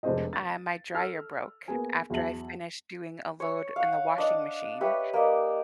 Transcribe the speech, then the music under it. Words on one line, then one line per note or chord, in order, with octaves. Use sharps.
Uh, my dryer broke after I finished doing a load in the washing machine,
F1 G#3 D4 G#4 C5 D#5
A6
A4 E6 F6
A#3 B3 G#4 G#5
E2 F#3 E5 A5 F#7
C#5
F5 F#5
D4 D5 D#5
G4 B4 C#5 E5
A#3 D5 D#5